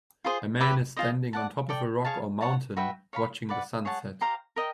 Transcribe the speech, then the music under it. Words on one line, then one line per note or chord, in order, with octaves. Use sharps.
A man is standing on top of a rock or mountain watching the sunset.
F4 G#4 C5
G4 B4 E5
F4 G#4 C5 D#5
D5 F#5 A5
A4 D5 G5
G#4 C#5 F5 A5
C#5 F#5 A5
F#4 B4 E5 G5
C#5 F5 G#5 B5
B4 D5 F#5
G#4 C#5 F#5 A5
G4 C5 F5 A#5
A#4 D#5 G5